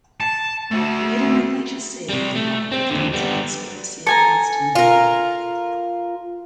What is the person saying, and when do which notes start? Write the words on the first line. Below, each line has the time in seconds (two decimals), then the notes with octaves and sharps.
Needleman later said he did not think there was a conspiracy against him.
0.21 A5
0.71 A3 F#4
2.09 C3 G3
2.35 A3
2.72 C4
2.90 D#2 D3
3.13 G3 B3
4.07 A4 G#5 A#5
4.75 F4 A#4